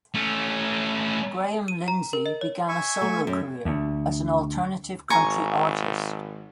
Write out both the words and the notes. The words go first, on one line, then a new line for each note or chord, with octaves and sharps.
Graham Lindsey began a solo career as an alternative country artist.
A3 C#4
D#7
A#5
A#4
D#5
C#5
E5 G#5 C#6
A3
F#2
D2
G#1 G#5 A#5 C#6